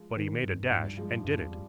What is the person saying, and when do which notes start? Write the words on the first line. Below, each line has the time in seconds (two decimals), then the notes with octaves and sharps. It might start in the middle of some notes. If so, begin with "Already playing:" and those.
But he made a dash and did it.
Already playing: F3 G#3
0.17 D#3
0.44 G2
0.70 G2 F3
0.78 G#2
0.84 G2 G3
0.97 F3 G#3
1.11 G3
1.25 G2 F3
1.43 F2
1.52 G3